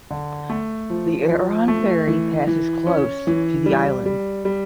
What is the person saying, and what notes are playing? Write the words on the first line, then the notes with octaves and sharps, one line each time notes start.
The Arran ferry passes close to the island.
D3
A3
F3
F3
A3
E3
E3
C#4
E3
G3
G3
G3